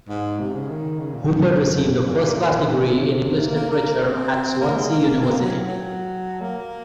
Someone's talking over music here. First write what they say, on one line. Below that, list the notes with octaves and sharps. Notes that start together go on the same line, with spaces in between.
Hooper received a first class degree in English Literature at Swansea University.
G#2
C3
C#3
D#3
C#3
A#2
F#2
F2
F#2
F2
F#2
A#2
A#2
A#2
C3
A#2
C3
A#3
A#3
A#3
C4
A#3
G#3
A#3
C4
A#3
F#3
F#3
A#3